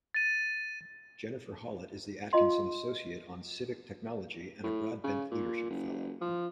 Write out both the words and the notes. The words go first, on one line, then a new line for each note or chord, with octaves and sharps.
Jennifer Hollett is the Atkinson Associate on Civic Technology and a Broadbent Leadership Fellow.
A6 D#7
F4 D#5 F5 C6
A2
C#3
A#2
F#1
F3